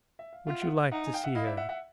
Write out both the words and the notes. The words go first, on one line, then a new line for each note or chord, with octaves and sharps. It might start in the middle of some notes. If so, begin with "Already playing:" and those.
Would you like to see her?
E5
F5
F4 E5 F#5
E5 F#5
D#4 E5 F#5
G#5
F5 G5
E5 F#5
E4 D#5 F5
D5 E5
E5 F#5
E5 F#5